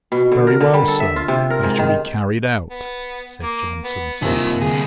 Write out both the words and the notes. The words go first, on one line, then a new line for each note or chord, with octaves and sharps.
"Very well, sir, they shall be carried out," said Johnson simply.
B2
D3
A#4
D3
G3
A4
E5
F4
C3
A#4
G#2
D#3
B3
A#3
B3
C2 C3 D#3 A#3 F4 G#5
D2 G2 G3 G#4